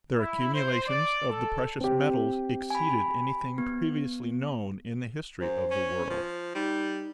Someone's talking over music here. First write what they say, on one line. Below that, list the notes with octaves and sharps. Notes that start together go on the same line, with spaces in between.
Their accumulations of the precious metals exceeded anything previously known in the history of the world.
E4
C5
D5
A4
C4 G4
G#5 B5
B3
F#2 C5
C#4
F3
G3 D#4